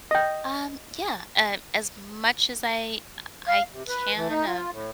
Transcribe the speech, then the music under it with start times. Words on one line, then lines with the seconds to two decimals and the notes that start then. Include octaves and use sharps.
Um, yeah, uh, as much as I, uh, I can of
0.11 D#5 G5
3.48 F5
3.72 C3
3.88 B4
4.15 E3
4.30 D#4
4.47 F4
4.71 A2